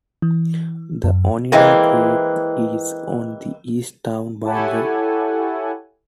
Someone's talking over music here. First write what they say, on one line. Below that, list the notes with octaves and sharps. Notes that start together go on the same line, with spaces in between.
The Oneida Creek is on the east town boundary.
E3
F#2
E3 G#3 A#3 C4
E4 G4 A4 C#5 F#5 G#5